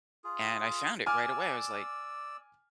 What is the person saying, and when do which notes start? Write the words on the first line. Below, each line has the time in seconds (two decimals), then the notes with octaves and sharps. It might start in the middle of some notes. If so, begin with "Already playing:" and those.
and I found it right away. I was like,
0.24 F4 G#4
1.06 D5 G#5 D6 E6 F6